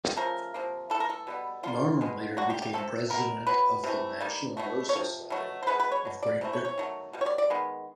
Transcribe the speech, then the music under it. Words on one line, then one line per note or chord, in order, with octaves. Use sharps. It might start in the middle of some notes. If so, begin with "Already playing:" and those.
Norman later became president of the National Rose Society of Great Britain.
C#3 F3 A3 A#4
C3 F3 A#3
E3 A3 A4
A#4
A4
B2 G3 B3
D3 G3 A#3 F4
B2 G#3 B3
D3 F#3 A#3 F#4
G4
G4
C3 F3 A3 A4
B2 G#3 B3 A#4
B2 F#3 B4
C3 E3 A3
D#3 G3 A#3
B2 F#3 A3
C#5
C3 F3
B2 F#3 A3
C5
B2 G#3 B3 B4
B4
C#5
B2 F#3
D5
C3 E3 A3
C#5
C#5
D#3 F#3 A3
B2 G3
C#5
D5
D5
D#3 G#3 B3